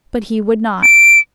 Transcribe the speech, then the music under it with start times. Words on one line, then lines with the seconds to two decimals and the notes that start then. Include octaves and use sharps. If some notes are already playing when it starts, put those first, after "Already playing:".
But he would not.
0.83 D7